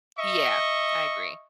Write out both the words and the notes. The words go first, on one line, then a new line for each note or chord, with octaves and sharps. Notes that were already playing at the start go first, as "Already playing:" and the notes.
Yeah. I agree.
D#5 E5 C#6